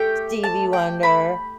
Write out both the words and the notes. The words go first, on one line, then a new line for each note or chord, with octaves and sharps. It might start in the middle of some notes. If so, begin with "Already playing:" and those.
Stevie Wonder.
Already playing: A3 G4 G5
A5
G5
B5